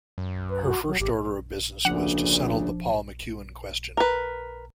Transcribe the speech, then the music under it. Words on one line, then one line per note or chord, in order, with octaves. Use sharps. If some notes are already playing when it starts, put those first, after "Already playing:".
Her first order of business was to settle the Paul MacEwan question.
F#2
B4
F#4
F#3
G#1 G4
D2 A#2 C#3 F3 D4 F#5
A#4 B4